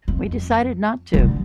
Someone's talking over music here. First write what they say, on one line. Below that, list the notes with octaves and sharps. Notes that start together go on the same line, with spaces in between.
We decided not to.
F2
E3
D3